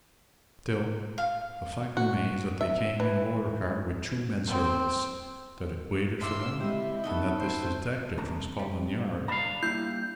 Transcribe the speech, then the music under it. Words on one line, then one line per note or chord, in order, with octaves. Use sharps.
Still, the fact remains that they came in a motor car with two men-servants; that it waited for them; and that this detective from Scotland Yard--Mr.
F5
F#4
E5
E3
C4
D4 F4 E5 C6 D6 E6
G#3 C4 E4 G4 D#5 G5
A3 B3 D#4 A4 B5
C5
C2 D4 A#5
G3
D4 F5 A#5 B5
G3 A#3 E4 G6